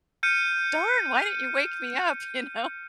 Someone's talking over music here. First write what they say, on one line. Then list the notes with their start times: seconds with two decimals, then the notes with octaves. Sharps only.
darn! Why didn't you wake me up," you know,
0.23 F6 G6 C#7 D#7